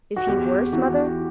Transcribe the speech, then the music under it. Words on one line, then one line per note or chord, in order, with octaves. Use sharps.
"Is he worse, mother?"
F#4
E2 G4
E3 F#4